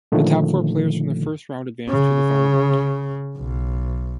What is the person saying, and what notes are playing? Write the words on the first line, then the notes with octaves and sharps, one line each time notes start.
The top four players from the first round advanced to the final round.
A#2 D3 D#3 F3 A3
C#3
B1